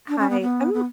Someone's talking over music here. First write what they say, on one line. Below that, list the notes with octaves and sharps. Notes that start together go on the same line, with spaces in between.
Hi. I'm
D4
C#4
B3
B3
B3